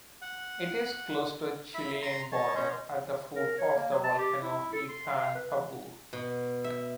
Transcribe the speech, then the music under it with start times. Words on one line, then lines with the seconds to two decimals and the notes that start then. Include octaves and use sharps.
It is close to the Chilean border, at the foot of the volcano Licancabur.
0.22 F#5
1.74 E4 E5 B5
2.02 A#5 C6
2.32 C#5 D#5 A5
2.55 C#4 C5 C#5
3.36 A#4
3.58 C#5
3.76 A#3
3.91 F#3
4.04 A5
4.19 G4
4.42 E4
4.73 A4
4.89 C6
5.09 F5
5.35 B4
6.13 B2
6.64 E5